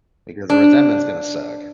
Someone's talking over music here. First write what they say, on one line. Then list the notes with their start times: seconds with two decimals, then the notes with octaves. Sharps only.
Because the resentment's gonna suck.
0.50 D4